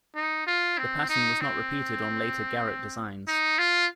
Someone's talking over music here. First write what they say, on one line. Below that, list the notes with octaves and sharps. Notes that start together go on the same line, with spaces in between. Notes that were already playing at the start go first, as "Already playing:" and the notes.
The pattern was not repeated on later Garratt designs.
D#4
F4
C4
D#4
C4
D#4
F4